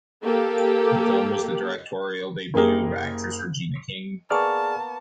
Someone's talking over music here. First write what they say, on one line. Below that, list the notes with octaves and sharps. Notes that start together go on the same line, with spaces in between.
The film was the directorial debut of actress Regina King.
A#3 G4 A4
F#1 A#3 G4 G#4 A#4
A#3 B3 G#4 C#5 D5 A5 F6